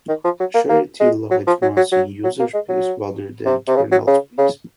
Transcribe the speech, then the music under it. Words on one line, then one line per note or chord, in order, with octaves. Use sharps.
Sharity-Light runs in user space rather than kernel space.
D#3
F3
F#3
A#3
A#3
G#3
F#3
F3
F#3
F#3
F#3
F#3
A#3
G#3
F#3
C3
C3
C#3
F#3
C#3
C#3